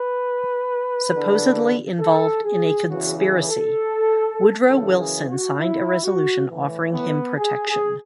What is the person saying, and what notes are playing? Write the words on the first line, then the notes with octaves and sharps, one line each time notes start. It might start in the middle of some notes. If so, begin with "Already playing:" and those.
Supposedly involved in a conspiracy, Woodrow Wilson signed a resolution offering him protection.
Already playing: B4
E2 D3
A4
G#4
E2 C#3 E3 F#4
G#4
A4
F#2 C#3 E3 A4
G#4
F#4
E4
F#4
A2 E3
B3
G#4
G#4